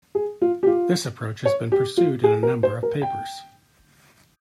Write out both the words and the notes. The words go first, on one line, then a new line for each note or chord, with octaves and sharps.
This approach has been pursued in a number of papers.
G#4
F4
G4
F4
C#5
G4
F4
G#4
A#4
C5
A#4
G5